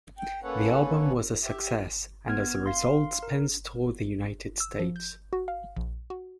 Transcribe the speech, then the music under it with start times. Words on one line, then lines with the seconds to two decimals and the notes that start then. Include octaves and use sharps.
The album was a success, and as a result Spence toured the United States.
0.19 G5
0.43 A#3 C#4 A4 B4 C#5 F#5
1.43 G4 E5
2.28 B3 F6 G#6
2.66 F5 C6
3.23 A#4
4.60 E6
4.80 F3
4.96 G6
5.33 F#4
5.48 F5
5.76 A#1
6.10 F#4